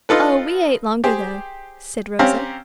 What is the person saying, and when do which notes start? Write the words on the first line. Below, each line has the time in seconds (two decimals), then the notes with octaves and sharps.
"Oh, we ate long ago," said Rosa.
0.09 D#4 F4 A4 B4
1.04 G4 G#4 C5
2.19 C4 C#4 G4 F5 A#5